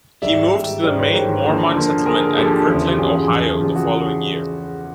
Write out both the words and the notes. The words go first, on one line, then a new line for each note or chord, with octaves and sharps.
He moved to the main Mormon settlement at Kirtland, Ohio the following year.
G#2 D#3 G3 D5 E5
G#2 D#3 G3
G#2 D#3 G3 C5 D5
B4 C#5
G#2 D#3 G3 A#4 C5
D3 F3 A#3
D3 F3 A#3
D3 F3 A#3 G#4 A#4
D3 F3 A#3 G4 A4
E2 C#3 F3
G4
E2 C#3 F3 F#4 G#4
E2 C#3 F3
E2 C#3 F3 F4 G4
F#4 G#4